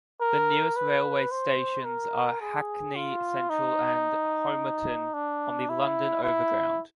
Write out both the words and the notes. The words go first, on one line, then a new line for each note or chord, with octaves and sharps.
The nearest railway stations are "Hackney Central" and "Homerton" on the London Overground.
A#4
B4
C5
A#4
G#4
F4
D#4
D4
E4
E4